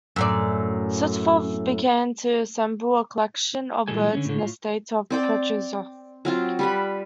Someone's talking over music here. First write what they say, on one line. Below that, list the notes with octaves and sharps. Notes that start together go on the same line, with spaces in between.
Severtzov began to assemble a collection of birds in the estate of Petrovskoe.
F#2 A2 D5
A#2 E3 G3 G#3 A4 G#5
D3 A#3 C#4
A2 D3
A2 F4
C4 D5 G5
F#3 C4 F4
G3 B4 B5